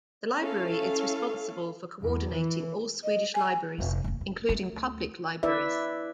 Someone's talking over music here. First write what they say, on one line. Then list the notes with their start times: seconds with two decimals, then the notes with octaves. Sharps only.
The library is responsible for coordinating all Swedish libraries, including public libraries.
0.38 C#4 E4 A4 F5
2.02 E2
2.33 E3
3.03 D#5
3.35 G#5
3.78 F1 A#1
4.04 F1 A#3
4.21 F#1
4.50 D2 A3
5.43 E4 B4 D5 E5